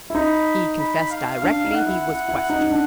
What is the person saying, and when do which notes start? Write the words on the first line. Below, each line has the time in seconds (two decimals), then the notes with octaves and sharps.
He confessed directly he was questioned.
0.10 E4
0.15 D#4 B5
0.79 B5
1.11 F5
1.43 D4 F5
1.65 D#4
1.75 F#5
1.86 E4
2.07 E4
2.28 E4
2.50 D#4
2.61 D#4
2.71 D4